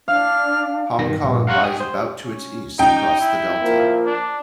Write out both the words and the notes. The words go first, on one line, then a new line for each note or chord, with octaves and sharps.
Hong Kong lies about to its east across the Delta.
D4 F5 F6
G2 D#3 A#6
A#1 G2
F5 F#5 A#5 C6 C#6 F#6
G5 G#5 D#6
C5
C#4
D#4 G5
E4
F3 A#3
D4